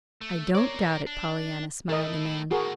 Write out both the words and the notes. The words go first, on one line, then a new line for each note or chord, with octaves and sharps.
"I don't doubt it, Pollyanna," smiled the man.
A3
A#4 C#5 D5
D4
A3 E4 A#4 D#5
A2 D#3 F#4 G#4 A#4